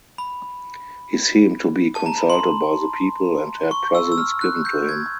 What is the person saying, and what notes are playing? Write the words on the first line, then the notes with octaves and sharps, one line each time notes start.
He seemed to be consulted by the people and had presents given to him.
B5
A5
A#5
B5
C6
C#6
E6
E6
F6
F#6
G6
G#6